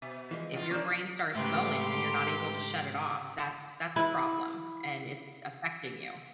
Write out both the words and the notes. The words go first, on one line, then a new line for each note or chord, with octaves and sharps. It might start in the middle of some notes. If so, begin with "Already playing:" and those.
If your brain starts going and you're not able to shut it off, that's that's a problem and it's affecting you.
B2
E3 F3 G#3
A#2 F4
A#3 C#4 D4
G#2 C#3 A3 G4 B4 A#5 C6
E4 B4